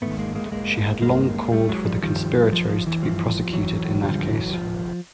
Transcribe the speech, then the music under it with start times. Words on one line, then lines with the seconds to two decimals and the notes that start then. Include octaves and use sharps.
She had long called for the conspirators to be prosecuted in that case.
0.02 G#2 D#3 A3 B3
0.19 G#3 A#3
0.35 G#3 A#3
0.46 A3
0.52 G#3 A#3
1.02 G2 D#3 G#3 A#3
1.52 G3 A3
1.69 F#3 G#3
1.85 F3 G3
2.02 G2 D#3 F3 G3
2.52 F3
2.69 F3
2.87 E3
3.03 G2 E3 F3
3.53 E3 F#3
4.03 F#2 D3 F3 G3
4.28 E3 F#3
4.53 F3